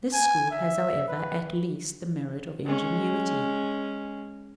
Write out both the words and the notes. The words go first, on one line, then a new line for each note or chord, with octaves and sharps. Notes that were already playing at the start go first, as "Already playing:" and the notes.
This school has, however, at least the merit of ingenuity.
G#5
E5
B4
G#3 C#4